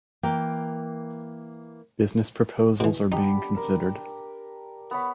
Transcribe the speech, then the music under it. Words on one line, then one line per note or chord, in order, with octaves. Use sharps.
Business proposals are being considered.
E3 A#3 A#4 G5
B2 E3
B3 D4 D#4 G4
A#4
B3 C#5 B5